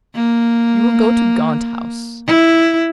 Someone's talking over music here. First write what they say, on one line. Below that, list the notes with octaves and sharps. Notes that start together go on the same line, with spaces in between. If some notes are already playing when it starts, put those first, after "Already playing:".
You will go to Gaunt House.
A#3
E4